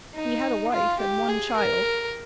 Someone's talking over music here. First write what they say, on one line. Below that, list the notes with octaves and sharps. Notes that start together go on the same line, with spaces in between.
He had a wife and one child.
D#4
F4
G4
G#4
A#4